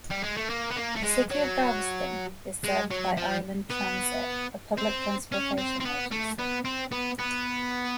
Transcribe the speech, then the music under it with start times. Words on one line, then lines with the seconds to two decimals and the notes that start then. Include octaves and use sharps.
The City of Galveston is served by Island Transit, a public transportation agency.
0.10 G3
0.23 G#3
0.37 A3
0.49 A#3
0.71 B3
0.77 A#3
0.95 A3
1.03 G#3
1.30 F#3
2.64 G#3
2.91 F#3
3.17 F3
3.71 B3
4.78 C4
5.32 C#4
5.58 C4
5.80 C4
5.85 B3
6.11 A3
6.39 B3
6.65 C4
6.92 B3
7.19 B3